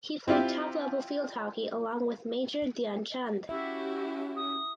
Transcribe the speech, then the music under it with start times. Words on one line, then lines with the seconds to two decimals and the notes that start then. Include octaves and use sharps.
He played top level field hockey along with major Dhyan Chand.
0.28 C4 E4 F4 G4
3.49 C#4 E4 F#4 G4 E5
4.36 D#6